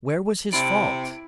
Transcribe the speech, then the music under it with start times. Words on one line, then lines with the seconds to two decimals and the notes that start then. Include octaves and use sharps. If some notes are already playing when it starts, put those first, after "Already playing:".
Where was his fault?
0.53 C3 E4 D5